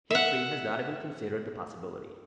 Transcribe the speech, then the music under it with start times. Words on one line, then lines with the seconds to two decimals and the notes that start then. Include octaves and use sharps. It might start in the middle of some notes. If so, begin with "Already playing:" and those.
History has not even considered the possibility.
0.11 E5 F#5